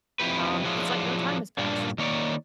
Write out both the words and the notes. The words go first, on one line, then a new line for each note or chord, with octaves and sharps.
um, it's like no time has passed.
F2 C3 E4 G4 B4
F3 F#3 D4 E4 F4 G#4
G2 A#2 A#3 D4
D#3 A#3 C#5 D5